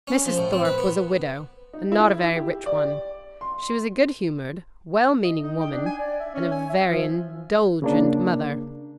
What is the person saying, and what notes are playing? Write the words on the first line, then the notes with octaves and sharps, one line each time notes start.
Mrs. Thorpe was a widow, and not a very rich one; she was a good-humoured, well-meaning woman, and a very indulgent mother.
C#4
F3
A2
C4
B4
B3
D#4
E4
G4
D5
C6
D#5
D#4
G5
D4
G#5
D5
E5
C#4
G#5
E5
F3
C#3 A#3 D4